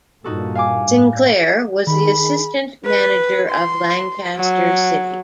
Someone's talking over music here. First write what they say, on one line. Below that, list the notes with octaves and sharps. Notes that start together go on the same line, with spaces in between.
Sinclair was the assistant manager of Lancaster City.
G2 A#2 D#4 F#4 A4
F5 G#5 D6
A2
D#3 G#4 B5
B4
C6
F#3